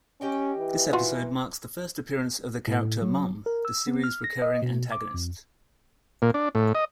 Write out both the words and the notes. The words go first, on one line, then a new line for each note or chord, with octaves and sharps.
This episode marks the first appearance of the character Mom, the series' recurring antagonist.
C#4 G4 D#5 G5
E3
A#2 F4 F#4
A2
F#3
A#4
E6
B3
F6
A#6
D#5
B2
D6
F2
A#2
D4
A2
D#5